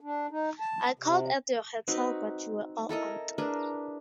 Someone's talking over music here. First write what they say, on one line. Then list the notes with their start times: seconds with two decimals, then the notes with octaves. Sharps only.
I called at your hotel, but you were all out.
0.01 D4
0.31 D#4
0.60 A5
0.99 C3
1.88 C4 D#4 F#4 B4
2.89 E4 A4 A#4 D#5
3.38 D4 G#4 A#4 B4